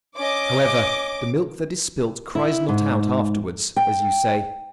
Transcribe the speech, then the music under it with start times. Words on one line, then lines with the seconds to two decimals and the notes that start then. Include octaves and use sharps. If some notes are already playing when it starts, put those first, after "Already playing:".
However, 'the milk that is spilt cries not out afterwards,' as you say.
0.17 C#4 D#5 D6
2.35 E4
2.69 G#2
3.76 G5